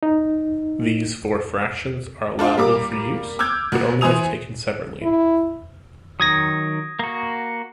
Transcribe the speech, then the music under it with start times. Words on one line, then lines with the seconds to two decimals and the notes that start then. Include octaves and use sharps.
These four fractions are allowable for use, but only if taken separately.
0.03 D#4
2.39 D4 F4 C5
2.57 G3 A#3 D6
3.39 D6 E6 F6 G6 G#6
3.72 D2 A#2 F#4
4.01 E3 C5 G#5 D#6 F7
5.02 E4
6.20 D#3 F#3 D#6 G#6 A#6
6.99 A#3 F#4